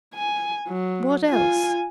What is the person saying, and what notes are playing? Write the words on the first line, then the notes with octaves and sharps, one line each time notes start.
"What else?"
G#5
F#3
F4 G#5